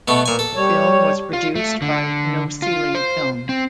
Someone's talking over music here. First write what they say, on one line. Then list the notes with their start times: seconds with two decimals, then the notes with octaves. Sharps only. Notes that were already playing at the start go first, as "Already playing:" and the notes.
The film was produced by No Ceiling Film.
0.08 B2 A3 B3
0.26 A#2 G#5
0.39 A4
0.56 G3 C#5
1.33 F4
1.55 A3
1.82 D3
2.62 F4
2.95 C5
3.49 C4